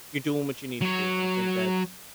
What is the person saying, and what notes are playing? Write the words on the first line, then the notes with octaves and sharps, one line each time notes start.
you're doing what you need to do," and I think that's
F#3 C#5